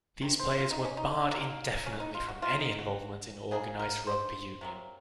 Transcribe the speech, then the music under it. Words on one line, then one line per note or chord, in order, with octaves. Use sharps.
These players were barred indefinitely from any involvement in organised rugby union.
C3 D#3
C5
F4
D#4
C#4
D#4
D#3 F#3 A#3
C#4
D#4
F4
F#4
C3 D#3 A#3 F4
D#4
F#4
C#3 F#3 A#3 G#4
A#4
C5
C3 F#3 A#3